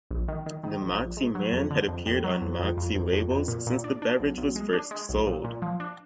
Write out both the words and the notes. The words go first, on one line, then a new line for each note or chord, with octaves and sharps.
The Moxie Man had appeared on Moxie labels since the beverage was first sold.
A#1
D#3
D#3
D#3
A#1
A#1
G#2
F#3
F2
D3
F2
F2
F#3
F2
F2
F2
F2
F2
F2
A#2
A#2
D4
D4
B1
B1
G#3
D4
G#3
B1
A#2
A#2
F3
D4